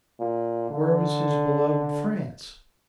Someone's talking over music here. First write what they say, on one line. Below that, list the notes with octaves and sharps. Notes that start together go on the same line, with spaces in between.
Where was his beloved France?
A#2
D3